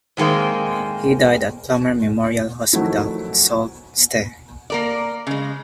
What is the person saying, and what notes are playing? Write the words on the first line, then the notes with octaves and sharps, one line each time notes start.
He died at Plummer Memorial Hospital in Sault Ste.
A2 D#3 G#3 A#3 C4
D#3 F3 F#3 A3 E4
A#3 A#4 D5
C#3 G#3